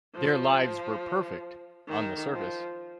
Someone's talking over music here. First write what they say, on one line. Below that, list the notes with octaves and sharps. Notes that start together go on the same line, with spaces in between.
Their lives were perfect - on the surface.
F3
D#3
F3